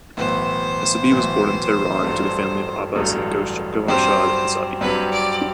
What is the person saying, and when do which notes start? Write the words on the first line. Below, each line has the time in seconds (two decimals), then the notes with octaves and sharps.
Hessaby was born in Tehran to the family of Abbas and Goharshad Hessabi.
0.17 B1 A2 E3 B3 C5
1.10 B1 A2 E3 B3
2.03 A1 G2 F#3 A3
2.95 A1 G2 F#3 A3
3.88 G2 F#3 C4 G4 C5
4.81 G2 F#3 C4 G4 B4
5.12 D5